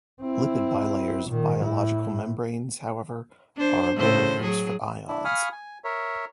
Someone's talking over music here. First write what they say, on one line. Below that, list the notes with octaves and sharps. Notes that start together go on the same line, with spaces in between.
Lipid bilayers of biological membranes, however, are barriers for ions.
C4 E4
A#2 D#3
A2 E4
D4 C5
A2 C#3 C5
F#3 G#4
D4 E4
F5 G#5 B5 C#6 D#6 F6
G#5
A#4 C#5 E5